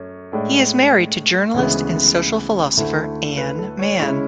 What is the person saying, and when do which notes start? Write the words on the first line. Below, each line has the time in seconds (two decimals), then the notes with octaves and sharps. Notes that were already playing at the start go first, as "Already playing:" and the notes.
He is married to journalist and social philosopher Anne Manne.
Already playing: F#2 A3 C#5
0.32 A2 G#3 D4 D5
1.54 D2 C#3 E3 G#3 B3
2.77 D2 D3 A3 E4
3.37 B4
3.59 A4
3.79 C#5
3.99 C#3 G#3 C#4 E4 C#5